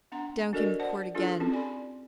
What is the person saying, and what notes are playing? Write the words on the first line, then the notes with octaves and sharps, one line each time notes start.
Down came the quirt again.
B3 D4 F#5 A#5 C6
D4 F#4 A4 A#4 D5 D#5
C5 D5 F#5 A5
D4 E4 F4 G#4 A4 B4
C4 C#4 E4 G4 A4
D5 G#5 B5 C6